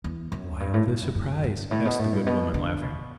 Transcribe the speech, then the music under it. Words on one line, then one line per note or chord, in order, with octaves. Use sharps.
"Why all this surprise?" asked the good woman, laughing.
E2
F#2
G2
A2
G2
F#2
F#2
G2
A2
B2
A2
G2
B2
D3
B2